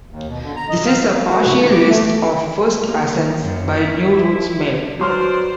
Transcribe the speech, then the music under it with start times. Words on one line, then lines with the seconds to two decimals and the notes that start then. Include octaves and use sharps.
This is a partial list of first ascents by new routes made.
0.11 D#2
0.28 B2
0.43 D3
0.56 A#5
0.69 D#5
0.86 F5
1.12 F3
1.27 F#4
1.42 B4
1.58 D#3
1.72 D6
1.89 A3
2.89 A#3
3.38 F#2
3.78 E4
4.99 F#3 B4 C5 D5 C6 F6